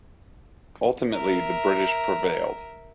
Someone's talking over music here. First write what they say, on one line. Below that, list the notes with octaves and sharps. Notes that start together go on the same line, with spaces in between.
Ultimately, the British prevailed.
A#4 E5